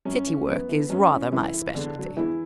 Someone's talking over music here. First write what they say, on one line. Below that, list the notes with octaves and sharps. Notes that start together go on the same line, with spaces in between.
"City work is rather my specialty."
F#2 C#4
E3
F#2 B3
E3
F#2 C#4
E3
F#2 E3 E4
E3
E2 D3 D4
D3 F#3
E2 E3 E4